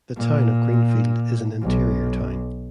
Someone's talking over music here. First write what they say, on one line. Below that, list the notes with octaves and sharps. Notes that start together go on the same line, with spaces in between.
The Town of Greenfield is an interior town.
A#2
B1